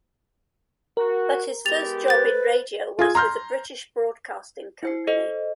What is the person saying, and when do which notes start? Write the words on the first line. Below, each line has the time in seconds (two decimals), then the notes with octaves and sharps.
But his first job in radio was with the British Broadcasting Company.
0.97 F#4 A#4
1.66 G#3 B3 G4 A6 F7
2.08 B4 C5 A6
2.99 F4 G#4 G#6
3.15 A#5 C6 F6 G6
4.83 E4 C5 C7
5.07 A4 C5 D#5